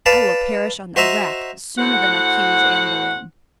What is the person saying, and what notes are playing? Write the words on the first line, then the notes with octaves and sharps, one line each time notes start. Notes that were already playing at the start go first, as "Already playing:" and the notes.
I will perish on the rack sooner than accuse Anne Boleyn.
B4 D5 F5 A5
F#4 C5 D#5 E5 A#5
A2 F#4 C5 F#5